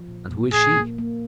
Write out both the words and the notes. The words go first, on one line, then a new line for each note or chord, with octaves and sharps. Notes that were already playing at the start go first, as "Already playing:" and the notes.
"And who is she?"
Already playing: F3
A#2
A#2
A#2 G#4
A#3
A#3